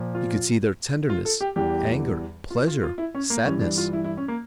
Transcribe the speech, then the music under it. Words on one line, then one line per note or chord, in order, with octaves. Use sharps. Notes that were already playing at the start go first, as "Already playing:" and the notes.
You could see there tenderness, anger, pleasure, sadness.
Already playing: A#2 F3
F4
F4
A4
G4
E2 E3 G3 G4
F4
F4
F4
E4
C#4
A#3
G2 E3 G3 C#4
D4
F4
E4
E4
C#4
A#3